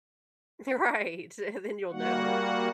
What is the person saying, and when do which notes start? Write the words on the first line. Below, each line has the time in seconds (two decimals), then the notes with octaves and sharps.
You're right, and then you'll know.
1.92 G3 A#3 F#4 F#5